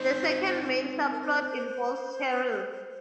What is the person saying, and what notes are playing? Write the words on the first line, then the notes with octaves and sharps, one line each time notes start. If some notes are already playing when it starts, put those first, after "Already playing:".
The second main subplot involves Cheryl.
Already playing: C4 D#4 C5
A#4
C5